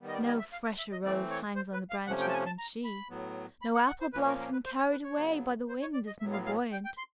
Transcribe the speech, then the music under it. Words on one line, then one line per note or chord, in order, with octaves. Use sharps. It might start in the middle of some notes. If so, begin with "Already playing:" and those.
No fresher rose hangs on the branches than she; no appleblossom carried away by the wind is more buoyant!
D#3 G3 B3
D#5
D5
D#5
E5
F5
E5
E5
D#5
E3 A3 C4 D5
C#5
C5
B4
F5
C3 F3 A3 C#4 F#5
G5
A5
G#5
A5
A#5
B5
A2 F#3 B3
B5
F#5
F#5
C5
A#2 F3 A#3 C#4 B4
A#4
A#4
B4
C5
C#5
B4
C#5
C#3 F#3 B3
C5
C#5
D5
D#5
A2 F#3 B3 E5
F5
F5
G5
G5
C6